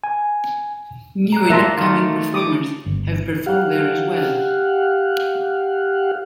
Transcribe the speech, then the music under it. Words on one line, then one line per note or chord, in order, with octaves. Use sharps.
New and upcoming performers have performed there as well.
G#5
A#5 F#6
A#3 E5 F5 A5 C6 F#6 A#6
D#3 A3 F5 C6
D6 D#6
G1
G4 F5 F#5